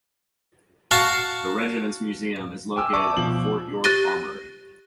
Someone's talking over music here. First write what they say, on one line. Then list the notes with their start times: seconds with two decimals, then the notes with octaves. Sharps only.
The regiment's museum is located at the Fort York Armoury.
0.91 F#4 F5 A5 C#6
2.76 G5 G#5 D6 E6
2.93 D5 E5 A5 C#6 D6
3.17 B2 F3 F#7
3.84 G4 F#6 A6 A#6 D#7 G7